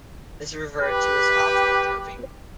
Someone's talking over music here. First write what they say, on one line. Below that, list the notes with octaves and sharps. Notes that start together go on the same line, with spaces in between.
This is referred to as optimum doping.
G4 B4